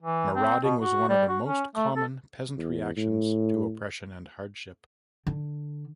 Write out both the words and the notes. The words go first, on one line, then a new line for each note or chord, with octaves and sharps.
Marauding was one of the most common peasant reactions to oppression and hardship.
E3
C4
B2
F#4
G3
F#4
C#4
A3
A4
E2
A2
D3